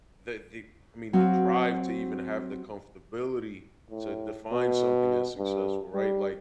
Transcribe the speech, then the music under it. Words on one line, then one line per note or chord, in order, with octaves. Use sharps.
the the, I mean, the drive to even have the comfortability to define something as successful, right, like,
F#3 C4 F#4 F5
A2
B2
G2
G3